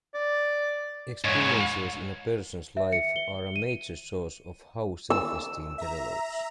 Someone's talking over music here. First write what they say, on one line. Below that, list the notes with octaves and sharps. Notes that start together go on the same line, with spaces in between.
Experiences in a person's life are a major source of how self-esteem develops.
D5
E2 G#2 C#5
E5
C#7
G7
D#7
E6
E5 A#5